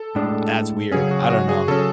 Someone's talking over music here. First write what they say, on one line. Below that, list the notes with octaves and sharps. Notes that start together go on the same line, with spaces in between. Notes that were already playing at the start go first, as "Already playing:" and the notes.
that's weird. I don't know.
Already playing: A4
A2 G#3 D4
C#3 F#3 C#4 G#4
F#4
F#4
G#4
C#3 F#3 C#4 A4